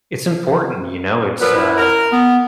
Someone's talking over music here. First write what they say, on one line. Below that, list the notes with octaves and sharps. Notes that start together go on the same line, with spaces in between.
it's important, you know, it's, uh
A#2 F3 F#3 B4
E4
A#4
B3